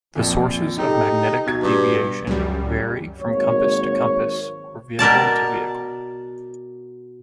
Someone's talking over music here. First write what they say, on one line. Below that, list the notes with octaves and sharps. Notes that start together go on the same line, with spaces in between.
The sources of magnetic deviation vary from compass to compass or vehicle to vehicle.
A#1 F2
D#4 G4 A4
B2 G#6
G2
C#2 F#2 G3
G#1 F#3 A#3 C#5
B2 A#4 D5 A5